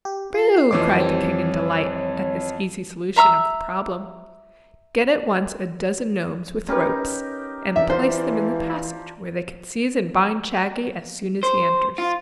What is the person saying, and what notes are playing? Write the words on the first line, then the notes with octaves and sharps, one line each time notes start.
"True!" cried the King in delight at this easy solution of the problem. "Get at once a dozen nomes, with ropes, and place them in the passage where they can seize and bind Shaggy as soon as he enters."
G4
F4 C7
F2 E3 D#4 C#5 D6
D#3 G3 C4 C#5
E5 A#5 C6 E6
C#4 D#4 G4 A#4 B4
E3 D5 E5
F3 C5
C5
F4